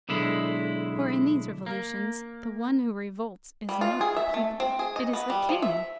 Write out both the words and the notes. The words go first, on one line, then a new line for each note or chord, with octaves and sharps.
For in these revolutions, the one who revolts is not the people; it is the king.
B1 D3 G#3 E4
A#3
G3
F4
G#4
E5
A3
C4
G#4
D#5
B3
G3
F3
E5